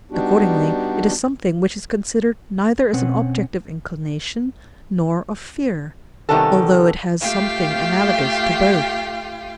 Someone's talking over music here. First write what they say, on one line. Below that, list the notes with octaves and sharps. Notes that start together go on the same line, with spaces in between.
Accordingly it is something which is considered neither as an object of inclination nor of fear, although it has something analogous to both.
G3 B3 D4 D#4 F#4 G4
B2 C4 C#4 F#5
C3 D#3 G3 B3 C#4 A4
A3 F4 G4 F5 G5